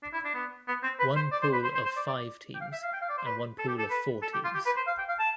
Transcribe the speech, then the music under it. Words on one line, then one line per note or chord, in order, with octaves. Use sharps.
One pool of five teams and one pool of four teams.
D4
E4
D4
B3
B3
C4
B4
C5
D5
C5
B4
C5
C5
C5
D5
D5
G5
F5
E5
F5
G5
F5
D5
C5
B4
A4
G4
A4
B4
A4
G4
F4
G4
B4
C5
F5
G5
F5
A5